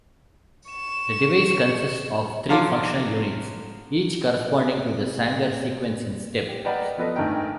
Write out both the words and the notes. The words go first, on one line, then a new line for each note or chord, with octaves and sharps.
The device consists of three functional units, each corresponding to the Sanger sequencing steps.
C#6 E7
F3 F#3 F5 A5 C6 D6
G4
A#4 B4 D5 D#5 F#5 G5
F3 B3 A4 B4 D#5
G#1 D3 D#3 A3 A#4 G5